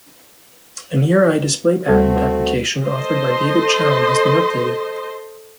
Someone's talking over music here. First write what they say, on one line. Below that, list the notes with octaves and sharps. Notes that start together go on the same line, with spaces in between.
A near eye display patent application authored by David Chaum has been updated.
D2 G3 A3 C4 F#4 A4
A4 C5 D#5 C6